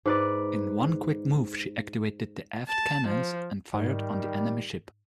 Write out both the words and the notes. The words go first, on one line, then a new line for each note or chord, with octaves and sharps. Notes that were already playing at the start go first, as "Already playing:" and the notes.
In one quick move, she activated the aft cannons and fired on the enemy ship.
G#2 B4 D5
A5
F3
G#2 D#3 G3